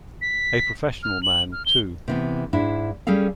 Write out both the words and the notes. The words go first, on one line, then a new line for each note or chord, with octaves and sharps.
A professional man, too!
B6
F6
F#7
F6
G7
C3 E3 B3
G#2 D4 E4
G3 C#4 G#4 A4 F5